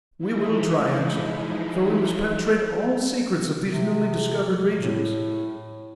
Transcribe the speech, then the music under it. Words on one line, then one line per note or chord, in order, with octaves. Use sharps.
"We will try, Axel, for we must penetrate all secrets of these newly discovered regions."
E3 F3 G#3 D#4 E4
C3
A2